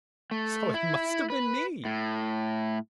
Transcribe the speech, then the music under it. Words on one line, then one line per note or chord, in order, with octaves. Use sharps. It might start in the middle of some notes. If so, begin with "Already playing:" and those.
So it must have been me!
A3
E4
B4
A2